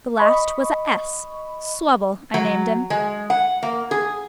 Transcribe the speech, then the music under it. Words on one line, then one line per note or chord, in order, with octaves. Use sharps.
The last was a S,--Swubble, I named him.
D#5 B5 C#6
F#3
G#3
F#5
A#3
G#4